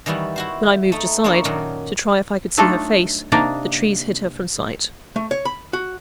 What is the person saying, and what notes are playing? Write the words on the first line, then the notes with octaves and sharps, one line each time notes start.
When I moved aside, to try if I could see her face, the trees hid her from sight.
D#3 E3 G3 E4 F#4
E4 F#4 C5
A3 D#4
A#3 D4 E4 C#5 D#5
F#2 A#2 D#3 F#3
F#3 A3 D4 D#4 F4 A4
C3 A#3 D4 D#4 D5 A#5
A3
C#5
B5
F#4